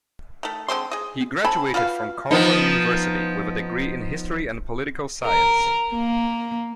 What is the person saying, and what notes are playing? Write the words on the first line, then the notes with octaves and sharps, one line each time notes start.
He graduated from Carleton University, with a degree in History and Political Science.
D#3 A3
D3 G#3 C4 C6
G#4 D#5
C4 A4 G#5 B5
F4 F#4 B4 F5
F3 B3 D#4
A#4
A#3